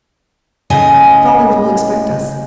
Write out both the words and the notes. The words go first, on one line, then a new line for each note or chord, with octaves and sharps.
Stallings will expect us.
A2 C#3 D#5 G#5